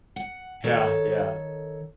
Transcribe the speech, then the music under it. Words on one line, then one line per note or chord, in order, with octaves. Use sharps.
Yeah, yeah.
F#5
D#3 A4 C#5